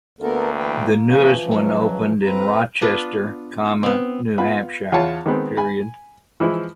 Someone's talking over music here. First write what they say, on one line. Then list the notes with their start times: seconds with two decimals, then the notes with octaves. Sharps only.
The newest one opened in Rochester, New Hampshire.
0.21 D2 A#3 B3 A4 A#4
0.56 E3 B4 G5
1.10 C#3 E3 F3
1.45 C#2 F#3
2.22 F2 C4 B4 A#5
2.81 B3 D4 F4 B4
3.83 B3 C4
4.38 B3 F4 F#5 B5
4.92 E2 F4 C#5 A5
5.26 D#3 G#3 B3 C4
5.57 G#5 B5
6.40 E3 F3 G#3 E4